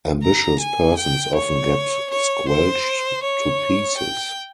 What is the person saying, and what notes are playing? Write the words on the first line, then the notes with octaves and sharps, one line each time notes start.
Ambitious persons often get squelched to pieces.
A#5
G#5
G5
C#5
C#5
C5
C#5
G5